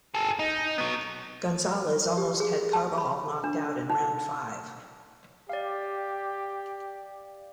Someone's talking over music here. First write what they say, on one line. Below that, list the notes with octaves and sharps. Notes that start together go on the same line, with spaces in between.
Gonzalez almost had Carbajal knocked out in round five.
G#4 A4
D#4
F#3 B3
G4
G#4
A5
B5
D4
D#4
G4 D5 F5